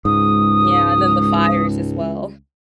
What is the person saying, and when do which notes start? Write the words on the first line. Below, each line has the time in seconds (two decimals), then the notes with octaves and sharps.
Yeah, and then the fires as well.
0.05 C#2 G#2 D#6